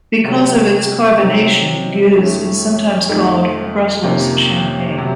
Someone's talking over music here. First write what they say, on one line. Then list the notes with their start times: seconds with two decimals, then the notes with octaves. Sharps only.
Because of its carbonation, gueuze is sometimes called "Brussels Champagne".
0.24 C3 F#3 A3 C#4
1.19 C3 F#3 C4 D#4
2.14 F2 D#3 A3 C#4
3.09 F2 D#3 A3 D#4
4.03 F2 C3 D#3 A#3 C#4
4.98 C3 F#3